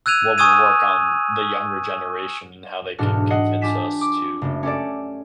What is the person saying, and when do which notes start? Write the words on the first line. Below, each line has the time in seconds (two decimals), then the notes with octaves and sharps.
what will work on the younger generation and how they can convince us to
0.06 E6 F#6 G#6 D#7 F7
0.38 G#5 C#6 D#6 E6 G#6 D#7
2.98 E1 G#2 D4 F#4 A4 F6
3.30 D#5 F#5 C7
3.61 D4 F4 G4 G#5 B6 E7
4.01 D6
4.42 F#1 A3
4.63 C#4 G4 A4 D5